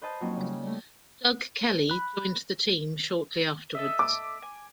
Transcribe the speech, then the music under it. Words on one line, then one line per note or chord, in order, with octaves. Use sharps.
Doug Kelly joined the team shortly afterwards.
B4 C5 D#5 A5 D#6 G6
F2 F#3 A#3 C4 C#4 D#4
C#3 G3
G3 A3
B5 F#6
A4 D#5 E5
D6
G#5